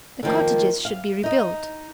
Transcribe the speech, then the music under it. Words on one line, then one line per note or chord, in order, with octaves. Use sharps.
The cottages should be rebuilt.
D3 D#3 F3 A#3
F5
D#4 D#5